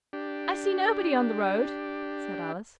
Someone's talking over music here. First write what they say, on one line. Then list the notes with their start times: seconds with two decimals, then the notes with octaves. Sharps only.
'I see nobody on the road,' said Alice.
0.13 D4 G4